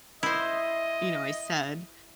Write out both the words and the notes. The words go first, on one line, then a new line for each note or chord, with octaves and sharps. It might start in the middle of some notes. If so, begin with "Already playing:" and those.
you know, I said"
E4 C5 D#5